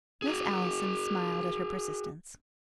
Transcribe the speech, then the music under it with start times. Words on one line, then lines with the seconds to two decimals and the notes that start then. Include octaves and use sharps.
Miss Allison smiled at her persistence.
0.22 F#4 G#4